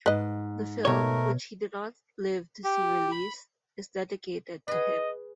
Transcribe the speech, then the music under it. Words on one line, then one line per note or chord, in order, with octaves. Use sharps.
The film, which he did not live to see released, is dedicated to him.
G#2 B4 D#5
B2 A3 A#4 C#5
G4
B5
G#4 B4 D#5